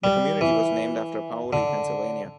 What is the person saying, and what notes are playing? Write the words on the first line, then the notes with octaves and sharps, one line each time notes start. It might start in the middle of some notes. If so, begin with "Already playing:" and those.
The community was named after Paoli, Pennsylvania.
G3
E3
D3